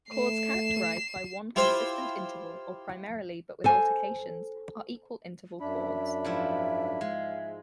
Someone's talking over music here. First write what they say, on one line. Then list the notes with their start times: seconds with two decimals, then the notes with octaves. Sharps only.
Chords characterized by one consistent interval, or primarily but with alterations, are equal-interval chords.
0.11 A3 C7 E7
1.56 E4 F4 G4 C5 E5
3.64 A4 C5 G#5
5.61 F#2 D4 E5 B5
6.24 G#2 F3 E4
7.01 G#3 F5